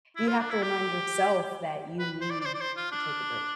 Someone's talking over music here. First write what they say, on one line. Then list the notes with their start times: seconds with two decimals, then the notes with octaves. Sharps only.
you have to remind yourself that you need to take a break.
0.16 E4
0.27 F4
0.39 D4
0.50 E4
0.62 G4
1.99 B4
2.21 C5
2.30 D5
2.41 D5
2.46 C5
2.54 D5
2.61 C5
2.77 F4
2.91 D4